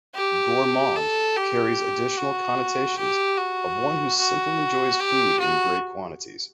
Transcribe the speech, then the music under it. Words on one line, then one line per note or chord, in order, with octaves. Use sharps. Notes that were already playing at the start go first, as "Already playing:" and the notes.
"Gourmand" carries additional connotations of one who simply enjoys food in great quantities.
G4
A4
G4
F#4
G4
F#4
F#4
G4
F#4